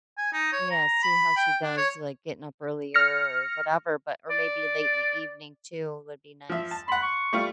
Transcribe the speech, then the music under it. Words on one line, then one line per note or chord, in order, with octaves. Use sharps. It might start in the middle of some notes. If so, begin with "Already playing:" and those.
yeah, see how she does, like, getting up earlier or whatever, but or maybe late in the evening too would be nice.
G#5
D#4
C#5
A#5
B5
G5
D4
C#5
F6 A#6 C#7
D5
F3 E5
A5
F#5 B5 C6
C#6
G3 A3 F4